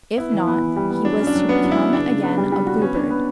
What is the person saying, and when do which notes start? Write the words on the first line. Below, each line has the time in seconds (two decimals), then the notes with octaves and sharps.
If not, he was to become again a Blue Bird.
0.18 B3 E4
0.33 E3
0.47 B3
0.61 E3
0.76 G3
0.90 B3
1.05 F#3 D4
1.20 C#4
1.27 D4
1.35 F#3
1.49 B3 C#4
1.64 F#3
1.72 E4
1.79 C#4
1.93 C#3 D4
2.08 C#3
2.23 B3
2.37 G3
2.52 G3
2.67 F#4
2.81 B3 C#4
2.96 D4
3.10 B3